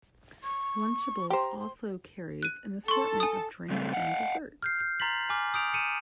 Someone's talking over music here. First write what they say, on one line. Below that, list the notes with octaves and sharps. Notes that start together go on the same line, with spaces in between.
Lunchables also carries an assortment of drinks and desserts.
C#6
G4 C5 A#5
C6
F#6 D#7
A4 C6 C#6
G#5 D#6
C#3 G3 A3 C4
D#5 F5 F#5
F6 G6 C7
G6
A#5 C6 A6 B6 F#7
G#5 D6 F6
D#6 G6 D7 F7
C#7 D#7 E7